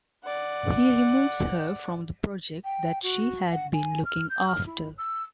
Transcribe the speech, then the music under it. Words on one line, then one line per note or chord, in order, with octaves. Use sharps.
He removes her from the project that she had been looking after.
D5 F#5
G5
F#4
F#5
G#5
F6
G6
F6
E4
E6